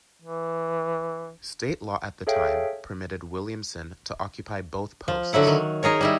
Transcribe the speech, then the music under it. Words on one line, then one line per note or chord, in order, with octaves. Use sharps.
State law at the time permitted Williamson to occupy both posts.
E3
G#4 A4 C#5 E5 F5 G5
F3
D3 F#3 E4 F#5
D#3
D#4 G#4 A#4 C#5
G3 D#4 E4